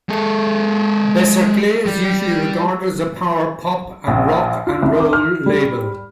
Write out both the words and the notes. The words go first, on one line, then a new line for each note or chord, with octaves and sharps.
Beserkley is usually regarded as a power pop and rock and roll label.
G#3 A4
G3
A#1
F4
C2
D6
F6
G3